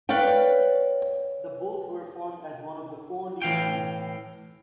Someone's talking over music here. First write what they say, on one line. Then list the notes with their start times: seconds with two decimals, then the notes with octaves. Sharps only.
The Bulls were formed as one of the four new teams.
0.09 B4 C#5 D5 F5 G5
3.42 A2 E3 F5 G5